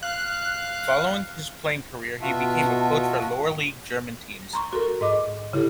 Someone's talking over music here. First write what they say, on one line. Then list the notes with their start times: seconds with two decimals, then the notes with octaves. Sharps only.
Following his playing career, he became a coach for lower-league German teams.
0.03 F5 F#6
2.21 B2 F4 F#4 E5 A5
4.53 A#5 C6 C#6
4.73 F#4 A4 A#4
5.01 G#2 D#5 D6
5.53 C#3 E4 G4 A4